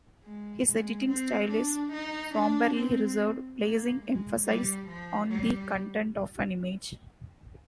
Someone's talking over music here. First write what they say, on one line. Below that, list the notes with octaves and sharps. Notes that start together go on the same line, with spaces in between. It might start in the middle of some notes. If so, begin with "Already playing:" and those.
His editing style is somberly reserved, placing emphasis on the content of an image.
G#3
G#3
C4
D4
D#4
D4
C4
A#3
G#3
G3
F3
G3